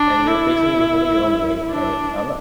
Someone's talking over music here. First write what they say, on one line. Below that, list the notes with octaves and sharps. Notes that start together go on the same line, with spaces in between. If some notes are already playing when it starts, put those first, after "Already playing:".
and you're basically holding your own weight, right? I'm not
Already playing: D4
E4
D4